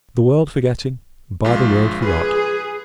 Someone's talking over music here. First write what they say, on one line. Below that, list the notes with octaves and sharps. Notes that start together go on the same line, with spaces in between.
"The world forgetting, by the world forgot."
A#1 G#3 F4
G#4 B4